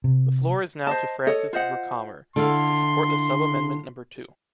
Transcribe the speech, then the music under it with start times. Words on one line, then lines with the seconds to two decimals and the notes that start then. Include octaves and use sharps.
The floor is now to Francis Vercamer, to support the sub-amendment number two.
0.04 C3
0.87 C5 D#5 A5
1.27 A4 C#5 D#5
1.53 F4 C5 D#5 F#5
2.36 D3 E4 F5 C6